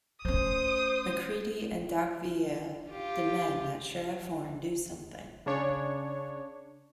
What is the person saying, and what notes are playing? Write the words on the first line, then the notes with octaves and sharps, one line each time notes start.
Macreedy and Doc Velie demand that Sheriff Horn do something.
A3 C#4 C5 D#6
F4 G4
C#3 D4 C#5